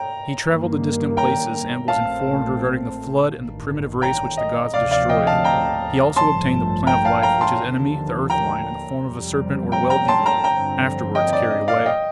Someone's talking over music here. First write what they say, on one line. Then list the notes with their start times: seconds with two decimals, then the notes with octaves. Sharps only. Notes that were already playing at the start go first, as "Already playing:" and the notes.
He travelled to distant places, and was informed regarding the flood and the primitive race which the gods destroyed; he also obtained the plant of life, which his enemy, the earth-lion, in the form of a serpent or well demon, afterwards carried away.
Already playing: G5 A#5
0.45 G2 D#3 A#3
1.17 G5 A#5
1.88 A#1 A#2 A3 C4 F5 A5
3.31 A1 G2 D#3
4.02 G5 A#5
4.37 D#5
4.73 D2 C3 F3 D5 F5
4.91 D5 F5
5.09 D#5 G5
5.27 F5 A5
5.44 G5 A#5
6.16 A1 G2 F3 A3 A5 C6
6.87 G5 A#5
7.05 F5 A5
7.22 G5 A#5
7.41 A5 C6
7.59 D#2 D3 F3 A#3
8.30 G5 A#5
9.01 F2 C3 G3
9.72 G5 A#5
9.90 G5 A#5
10.08 A5 C6
10.26 G5 A#5
10.44 G2 D3 F3 C4 G5 A#5
11.15 D#5 G5
11.33 D5
11.51 D#5
11.68 D5 F5
11.86 D#5 G5